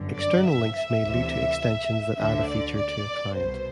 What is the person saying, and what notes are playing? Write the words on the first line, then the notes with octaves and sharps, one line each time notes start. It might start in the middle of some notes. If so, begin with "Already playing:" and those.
External links may lead to extensions that add a feature to a client.
Already playing: G1 F#2 D3
D5
E5
E5
D2 C3 E3
D2 D3 E5
D5
D5
C2 B2 C5